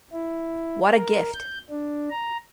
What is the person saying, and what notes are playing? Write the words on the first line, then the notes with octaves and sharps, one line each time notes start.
What a gift.
E4
A#4
G6
D4
A#5